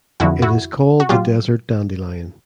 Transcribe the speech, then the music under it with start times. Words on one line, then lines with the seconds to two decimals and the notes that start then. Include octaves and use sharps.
It is called the desert dandelion.
0.20 F2 D3 F3 E4 F#4
0.42 E4 F#4
1.00 F#4
1.09 A#2 F#3 F4 G4